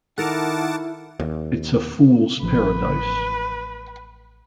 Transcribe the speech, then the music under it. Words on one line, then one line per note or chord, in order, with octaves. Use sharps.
It's a fool's paradise.
D#3 E4 A4 A#4 F#5 A5 D6
D#2
A1 F3 B4